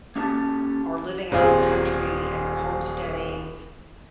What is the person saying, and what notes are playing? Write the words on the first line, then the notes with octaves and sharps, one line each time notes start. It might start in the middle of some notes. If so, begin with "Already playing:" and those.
are living out in the country and they're homesteading
A#3 C#4 G4 D#5 A5
D#1 C4 F4 G#4